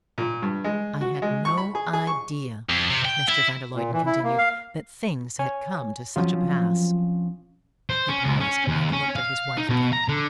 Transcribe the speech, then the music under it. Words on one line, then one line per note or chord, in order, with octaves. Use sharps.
"I had no idea," Mr. van der Luyden continued, "that things had come to such a pass." He paused, and looked at his wife again.
A#2
G2
G#3
F#4
G#3
C#6
B5
G#4
G#4
C#6
F2
C3
G5
E4
A#2
E3
E4
A#3
F5
C#5 G#5
F3 F#3 C4 C#4 F4
C5
C#4
C#2
C#4
D#2
C#4
F5
D#4
B2
A#5
D3